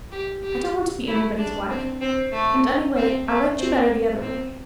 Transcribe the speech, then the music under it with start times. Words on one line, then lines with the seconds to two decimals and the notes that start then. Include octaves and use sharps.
"I don't want to be anybody's wife--and, anyway--I liked you better the other way."
0.12 G4
0.43 G4
1.07 E4
1.38 D4
1.70 C4
2.01 C4
2.32 A3
2.96 C4
3.27 A3
3.59 C4
4.22 C4